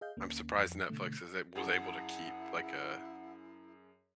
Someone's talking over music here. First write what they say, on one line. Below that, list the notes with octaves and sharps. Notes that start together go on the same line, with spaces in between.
I'm surprised Netflix is a was able to keep, like, a
G#4 D#5 F5 G6
D2 A#3 C#4
F2
B2 D3 A3
F#2 E4 G#4 F#5 A5